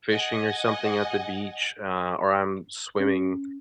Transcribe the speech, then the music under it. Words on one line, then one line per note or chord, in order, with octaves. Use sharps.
fishing or something at the beach, uh, or I'm swimming
D#5 F#5 G#5
C#4